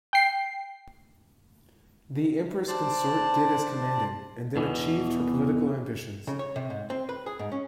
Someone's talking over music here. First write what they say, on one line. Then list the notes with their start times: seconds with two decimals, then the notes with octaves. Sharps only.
The Empress Consort did as commanded, and then achieved her political ambitions.
0.13 G5 C7
2.68 D4 C5 D5 A5
4.56 E2 B2 E3
6.27 C#3
6.39 C#5
6.56 C3
6.70 G#2
6.90 C4
7.09 B4
7.26 G#4
7.39 G#2
7.52 C#4